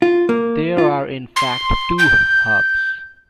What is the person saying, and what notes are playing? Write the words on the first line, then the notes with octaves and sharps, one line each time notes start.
There are in fact two "hubs".
F4
A#3
F4
C6
G6